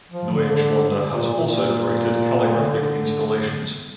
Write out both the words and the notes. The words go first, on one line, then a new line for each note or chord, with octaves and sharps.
Neuenschwander has also created calligraphic installations.
F3
D3
D3
A#2
A#2
D3